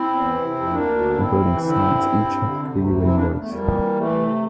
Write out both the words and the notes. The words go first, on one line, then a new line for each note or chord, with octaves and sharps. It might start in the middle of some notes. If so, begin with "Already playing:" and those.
The building sides each have three windows.
Already playing: C4 E4
E2
E3
C3
F2
D2 A#3 D4
D2
D3
E2 C4 E4
C3
E3
D3 C4 E4
D3
G2
G2
G2
D3
C3
D2
C3
E3 C4 E4
E2 A#3 D4
E2 A3
F2 G3 A#3
E3
E3
E3 A3
C3